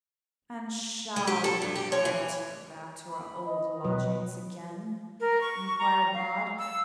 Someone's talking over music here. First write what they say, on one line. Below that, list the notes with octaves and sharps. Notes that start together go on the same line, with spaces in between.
'And shall we have to go back to our old lodgings again?' inquired Maud.
G#3
G4
A4
G2
G4
C#5
E3
B5
D#5
B2 F#3 B4
A#4
C#6
A#5
F5
E6